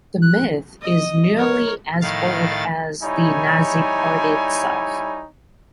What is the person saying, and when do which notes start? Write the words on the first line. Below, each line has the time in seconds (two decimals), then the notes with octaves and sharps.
The myth is nearly as old as the Nazi party itself.
0.22 F#6
0.82 D#5
1.37 A#4 C#5
2.02 A2 D#3 F5 A6
3.03 G3 D#4 E4 C#5 G#5